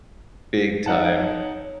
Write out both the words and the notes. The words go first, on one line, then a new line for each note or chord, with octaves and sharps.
Big time,
A3
D#4 C#5 F#5 A5